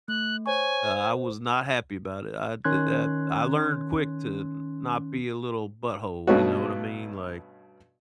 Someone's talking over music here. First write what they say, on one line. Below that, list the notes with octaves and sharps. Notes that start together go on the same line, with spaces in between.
Uh, I was not happy about it, I did that I learned quick to not be a little butthole, you know what I mean? Like
A3 F#6
C5 C#5 G#5 C#6
C5
D#3 C#4 C6 F#6 G#6
G2 B2 A3 C#4 D#4 F#4